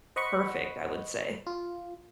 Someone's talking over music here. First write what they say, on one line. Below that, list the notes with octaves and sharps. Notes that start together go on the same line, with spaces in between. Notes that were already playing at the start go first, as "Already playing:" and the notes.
perfect, I would say.
C5 D#5 F#5 B5 C#6
F4